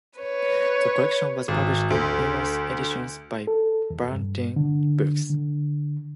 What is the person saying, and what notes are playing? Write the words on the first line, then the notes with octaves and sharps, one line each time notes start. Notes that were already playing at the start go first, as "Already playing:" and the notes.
The collection was published in numerous editions by Ballantine Books.
B4 C#5
G#1
D2
A4
E2
G2
D3
D3